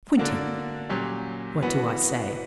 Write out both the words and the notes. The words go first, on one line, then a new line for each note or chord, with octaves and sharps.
Twenty! what do I say?
D3 A#3 D4 F#4
A#2 F#3 C#4 G4
E3 B3 F#4